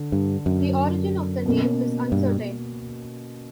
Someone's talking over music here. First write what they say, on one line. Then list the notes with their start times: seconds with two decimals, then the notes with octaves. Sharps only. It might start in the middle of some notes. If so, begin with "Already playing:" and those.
The origin of the name is uncertain.
Already playing: D3
0.12 G2
0.46 F#2
1.46 B2 A#3 C#4
2.12 G2